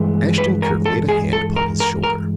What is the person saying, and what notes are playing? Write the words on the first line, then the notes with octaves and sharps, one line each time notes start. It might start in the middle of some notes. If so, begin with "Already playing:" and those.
Ashton-Kirk laid a hand upon his shoulder.
Already playing: G2 E3 G#3
B4
A#4
A4
G#4
A4
A#4
A#4
A#4